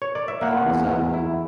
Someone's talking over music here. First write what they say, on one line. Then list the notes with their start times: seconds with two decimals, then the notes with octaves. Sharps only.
The plant is edible.
0.02 C#5
0.15 D5
0.28 E5
0.42 A#3 F#5
0.65 E2
0.89 E2
1.14 E4